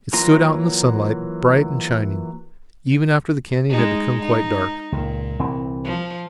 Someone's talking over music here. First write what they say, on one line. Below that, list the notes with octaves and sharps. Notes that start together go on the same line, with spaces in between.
It stood out in the sunlight bright and shining, even after the canyon had become quite dark.
E3 F#3 A#3 F4 A#5
G#3 D#4
D#4
C#2 A#2
C2 E3 C4
F3